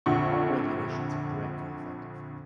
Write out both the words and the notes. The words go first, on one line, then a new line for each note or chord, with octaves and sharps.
All regulations are directly effective.
A#1 F2 D3 F#5 C#6